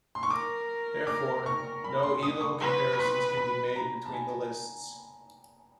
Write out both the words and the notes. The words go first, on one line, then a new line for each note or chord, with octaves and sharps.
Therefore, no Elo comparisons can be made between the lists.
C6
C#6
A#4 D6
D6
C#6
B5
C6
D#6
C#6
B4 C6
C6
B5
A#5
A5
G#5